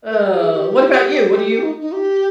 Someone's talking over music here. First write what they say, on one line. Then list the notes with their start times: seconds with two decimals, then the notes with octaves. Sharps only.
Uh, what about you? What do you
0.09 A#4
0.25 G4
0.38 G#4
0.51 G4
1.63 D#4
1.80 D#4
1.93 G4